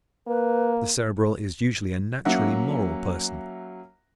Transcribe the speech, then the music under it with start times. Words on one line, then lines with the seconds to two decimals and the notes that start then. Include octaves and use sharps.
The Cerebral is usually a naturally moral person.
0.27 A#3 B4
2.25 F#3 A#3 C#4 E5 F#5